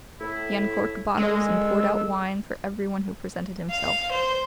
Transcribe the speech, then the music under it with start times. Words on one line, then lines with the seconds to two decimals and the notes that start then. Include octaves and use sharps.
He uncorked bottles and poured out wine for every one who presented himself.
0.20 A2 E4
1.17 C2 D3 G#3 E6
3.71 F5
4.13 C5